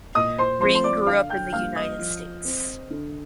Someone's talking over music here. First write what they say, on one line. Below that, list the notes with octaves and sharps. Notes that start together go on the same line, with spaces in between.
Ring grew up in the United States.
A#2 D#5 D#6
C5 C6
F3 C4 C5 C6
C6
D5 D6
D3 F5 F6
G5 G6
G3 A#3 D4 F5 F6
D#5 D#6
F3
C4
D3